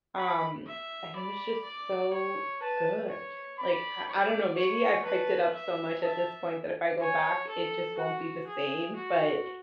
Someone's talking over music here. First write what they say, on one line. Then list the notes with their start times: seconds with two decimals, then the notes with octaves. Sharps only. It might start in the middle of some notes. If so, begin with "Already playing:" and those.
um, and it was just so good, like, I I don't know, maybe I've hyped it up so much at this point that if I go back, it just won't be the same, but
0.18 B5
0.67 E5
1.16 D5 B5
1.65 D5
2.13 C#5
2.62 B4 A5
3.11 C#5
3.59 D5 B5
4.08 D5
4.57 C#5
5.05 B4 A5
5.54 E5
6.03 E5 A5
7.00 C#5 G#5
7.49 A4
7.98 F#4 F#5
8.47 G#4
8.96 F#4